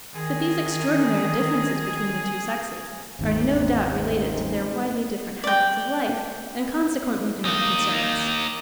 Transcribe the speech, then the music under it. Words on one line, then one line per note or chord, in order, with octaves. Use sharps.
But these extraordinary differences between the two sexes are no doubt related to their widely different habits of life, and consequently do not concern us.
D#3 G#4
G1 D#2 G#2 C#3 C4 D#4
D5 G5
A#3 D#4